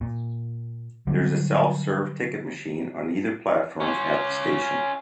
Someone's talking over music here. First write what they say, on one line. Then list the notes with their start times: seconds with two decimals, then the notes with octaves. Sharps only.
There is a self-serve ticket machine on either platform at the station.
0.01 A#2
1.07 D3 F#3 G3
3.80 C#4 F4